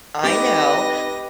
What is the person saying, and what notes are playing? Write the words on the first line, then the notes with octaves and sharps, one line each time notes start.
I know,
A3 C4 D#4 G4 B4 D#5 A#6